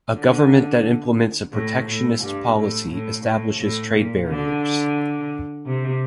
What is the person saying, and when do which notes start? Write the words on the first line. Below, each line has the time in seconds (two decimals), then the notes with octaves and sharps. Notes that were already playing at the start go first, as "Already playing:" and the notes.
A government that implements a protectionist policy establishes trade barriers.
0.15 D3
1.52 A2
1.87 A2
2.21 G2
2.55 A2
2.90 A2
3.24 A2
3.59 A2
3.93 A#2
4.28 D3
5.65 C3